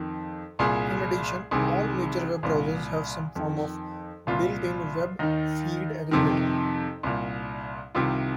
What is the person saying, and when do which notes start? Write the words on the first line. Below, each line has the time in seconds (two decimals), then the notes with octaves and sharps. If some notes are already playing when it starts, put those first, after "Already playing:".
In addition, all major web browsers have some form of built-in web feed aggregator.
Already playing: F2 D#3
0.59 C2 A#2 G#4
1.51 C2 C3 D#3 G#4
2.43 C2 A#2
3.35 F2 D#3
4.27 C2 A#2 F4
5.19 D#2 D#3 D#4
6.11 F2 C3 D#3
7.03 C2 A#2
7.95 C2 C3 D#3 F4